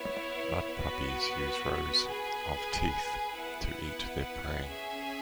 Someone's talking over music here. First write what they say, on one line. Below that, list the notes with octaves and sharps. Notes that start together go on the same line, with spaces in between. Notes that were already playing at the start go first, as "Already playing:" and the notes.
Mudpuppies use rows of teeth to eat their prey.
Already playing: B3 E4 C#5
B3 F#4 B4
G#4 B4 G#5
B3 E4 B4 F#5
C#4 G#4 E5 G#5